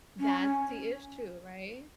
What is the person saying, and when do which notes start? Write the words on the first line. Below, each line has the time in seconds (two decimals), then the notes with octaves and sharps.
That's the issue, right?
0.19 C#4